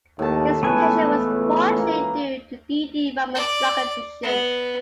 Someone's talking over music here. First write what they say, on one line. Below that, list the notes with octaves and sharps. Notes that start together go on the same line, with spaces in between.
This tension was partially due to Dee Dee Ramone's drug addiction.
D#2 A2 A5
C#2 E3 A3 B3 A4 B4 C#5 G#5
A#3
D5
B3